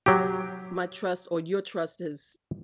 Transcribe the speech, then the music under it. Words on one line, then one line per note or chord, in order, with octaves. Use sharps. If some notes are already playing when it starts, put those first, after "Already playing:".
my trust or your trust is
F#3 G4